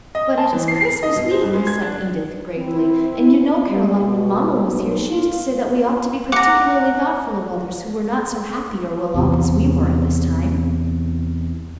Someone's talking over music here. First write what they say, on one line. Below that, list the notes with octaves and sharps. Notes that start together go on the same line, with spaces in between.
"But it is Christmas week," said Edith gravely, "and you know, Caroline, when Mamma was here she used to say that we ought to be particularly thoughtful of others who were not so happy or well-off as we were at this time."
D#5
A5
E3
C7
C7
D#5
B2
C5
G2
G#3
G#6
D4
C4 E4
G3
B2
B1
F4
F#5 A#5 D6 C#7
E2 C3